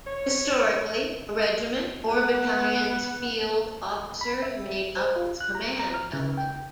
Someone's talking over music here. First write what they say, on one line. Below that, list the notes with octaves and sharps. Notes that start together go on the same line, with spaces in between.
Historically, a regiment or battalion's field officers made up its command element.
C#5
B3 F#5
B5
E5
C5
F4
F#6
A#5
A#5
F6
C#3
G5